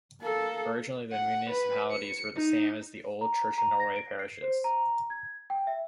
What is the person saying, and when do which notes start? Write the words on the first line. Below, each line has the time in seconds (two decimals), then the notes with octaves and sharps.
Originally the municipalities were the same as the old Church of Norway parishes.
0.22 A#3 A4
1.12 F#5
1.50 B4
1.91 C#7
2.36 D#4
3.21 A#5
3.58 A#5
3.80 A#6
3.96 D7
4.19 C7
4.42 C5
4.64 A#5
5.10 G#6
5.50 G5
5.67 E5